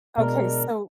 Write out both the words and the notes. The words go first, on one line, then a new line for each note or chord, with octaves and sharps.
Okay, so
B2 G#3 D4 A#4